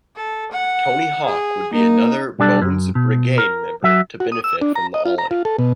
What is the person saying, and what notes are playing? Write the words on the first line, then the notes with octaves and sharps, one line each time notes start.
Tony Hawk would be another Bones Brigade member to benefit from the ollie.
A4
F#5
G#4
A#3 D#4
B1 G3 D4 A4
F#2
B2
A#4
F#3 E5
F#4
D#6
E6
D4
A#5
D#5
F4
A#5
F4
A4
B2